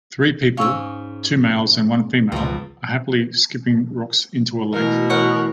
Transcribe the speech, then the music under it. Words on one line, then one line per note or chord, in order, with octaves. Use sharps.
Three people, two males and one female are happily skipping rocks into a lake.
G#2 C#4 F5 C#6 E6
C#2 B2 F3 F4
B2 E3 A3 F#4 A#4
E3 A#4 C#5 F#5